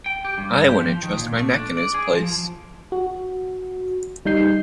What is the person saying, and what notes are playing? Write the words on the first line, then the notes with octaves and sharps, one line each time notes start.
I wouldn't trust my neck in his place.
G5
G4
G2
G4
F3
D#3
A#2
A3
D4
D5
G#4
F3
F#4
G3 D#4 G6 C7